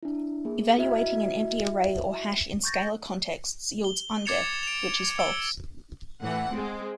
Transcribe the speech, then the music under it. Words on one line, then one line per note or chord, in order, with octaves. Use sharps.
Evaluating an empty array or hash in scalar context yields undef, which is false.
D4 E4
A#3 G#4
E4 F#4 D#5 E5
C#6 G6 A6 A#6
G7
D6 G#6 A6 C#7 E7 F7
D7 F7
E6 C#7 D7 G7
A2 E3 F#5
G#3 C4